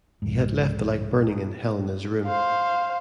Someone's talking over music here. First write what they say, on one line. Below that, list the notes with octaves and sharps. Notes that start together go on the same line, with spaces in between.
He had left the light burning in Helene's room.
C2 F2 G#2
C5 F5